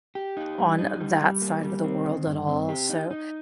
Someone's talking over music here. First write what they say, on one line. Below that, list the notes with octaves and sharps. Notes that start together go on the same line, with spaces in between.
on that side of the world at all, so,
G4
D#4
G3
D#4
G3
G3
A#3
G3
C4
D#3
G2
C4
G4
D#4
D#4